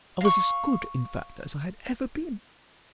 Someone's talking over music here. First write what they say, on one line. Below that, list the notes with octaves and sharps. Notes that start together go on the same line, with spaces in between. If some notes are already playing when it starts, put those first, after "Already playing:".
I was as good, in fact, as I had ever been.
F5 C#6